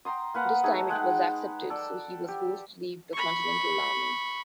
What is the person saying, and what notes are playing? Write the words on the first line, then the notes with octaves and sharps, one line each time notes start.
This time it was accepted, so he was forced to leave the continental army.
G5 A#5 C6 D#6
A#3 B4 F#5 A#5
A3 D#4 G#4 A4
G#3 F#5 G5
A4 D5
G4
B5 C#6